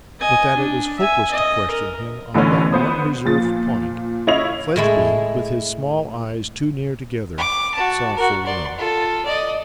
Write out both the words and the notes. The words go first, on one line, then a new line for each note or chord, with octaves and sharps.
But, that it was hopeless to question him on that one reserved point, Fledgeby, with his small eyes too near together, saw full well.
D#5 G#5
D4
E5 G#5
D#5
A#4
A1 D3 E3 B3 C#4
B3 C5 D#6
A#2 F3 A6
C#3 E4 C#5 D#5 F5 F7
A2 G#3 E4
D6
F#4 A5
F#4 A#4
D5 C6
F4 A4
D5 D#5